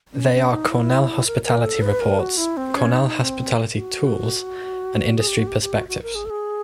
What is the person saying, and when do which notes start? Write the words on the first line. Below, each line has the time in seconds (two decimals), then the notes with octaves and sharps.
They are Cornell Hospitality Reports, Cornell Hospitality Tools, and Industry Perspectives.
0.14 C#4
0.33 C#4
0.51 D#4
0.70 E4
1.26 A#4
1.44 A#4
1.63 A4
1.82 B4
2.00 A#4
2.19 F#4
2.37 E4
2.57 C4
2.75 C#4
2.93 D#4
3.21 C4
3.74 F4
3.78 F#4
5.17 G#4
5.27 G4
5.37 F#4
5.47 G4
5.62 G4
5.74 F#4
5.88 F#4
6.02 A#4
6.15 G#4
6.25 A4
6.30 G#4